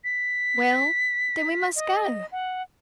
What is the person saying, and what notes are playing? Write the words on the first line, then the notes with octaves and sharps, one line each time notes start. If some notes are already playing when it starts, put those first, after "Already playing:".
"Well, then we must go!"
B6
D#5
F#5